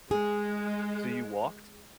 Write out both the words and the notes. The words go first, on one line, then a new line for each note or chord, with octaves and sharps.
So, you walked?
G#3 G#4